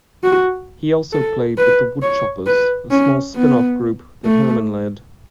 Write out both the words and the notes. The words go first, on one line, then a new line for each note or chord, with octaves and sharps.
He also played with the Woodchoppers, a small spin-off group that Herman led.
F#4
A4
B4
C#5
B4
C#4
B3
A3